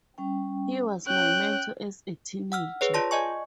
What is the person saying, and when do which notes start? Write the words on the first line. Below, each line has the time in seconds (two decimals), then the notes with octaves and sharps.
He was my mentor as a teenager.
0.18 G3 C#4 G5
1.07 C#4 C#5 G5 F#6
2.52 F#5 E6 F6
2.81 G#4 B4 C#5
2.94 F4 D5 A5 C6 A#6
3.11 D5 D#5 G#5 C#6